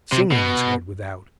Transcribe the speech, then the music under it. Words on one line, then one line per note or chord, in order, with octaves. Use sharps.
Singing is heard without.
C3
B2